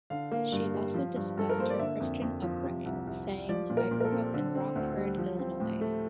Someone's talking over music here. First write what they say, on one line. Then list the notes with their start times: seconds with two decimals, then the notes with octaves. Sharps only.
She also discussed her Christian upbringing, saying, I grew up in Rockford, Illinois.
0.10 D3 F5
0.31 A#3
0.52 G2
0.74 G3
0.94 F3
1.16 G2
1.37 G2 A4
1.49 A#4
1.58 A#3 C5
1.70 D5
1.79 D3 E5
2.00 F2
2.22 F2
2.42 F3
2.64 C3
2.85 C2
3.07 C2
3.28 G3
3.49 F3 D5
3.70 A#2
3.77 A#4
3.91 A#2
4.00 A#4
4.05 A4
4.12 C4
4.34 D3
4.55 C4
4.76 D2
4.97 G3
5.18 F3
5.39 C4
5.60 A2
5.81 A3